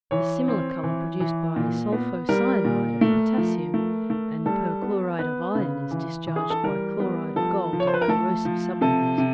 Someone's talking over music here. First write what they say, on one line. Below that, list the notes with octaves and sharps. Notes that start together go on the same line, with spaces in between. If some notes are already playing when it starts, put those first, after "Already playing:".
The similar colour produced by sulpho-cyanide of potassium and perchloride of iron is discharged by chloride of gold and corrosive sublimate.
E3 C#5
C4
E3
E3
A#2
B3
G3 A#4
A#2
A3
F3
A3
A3
G3 A4
B3
B3 B4
C#3
E3
E3
G#4
A4
G3 A#4
B3
F3 A4
F3
C#5
C5
B4
A#4
A3 A4
F3
C3 A4
C3